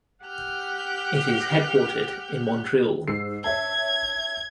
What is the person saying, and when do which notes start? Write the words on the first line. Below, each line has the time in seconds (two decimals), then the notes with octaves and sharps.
It is headquartered in Montreal.
0.24 G4 F#5 F6 G6
3.08 G#2 E6 C7
3.44 C#5 E5 A5 G#6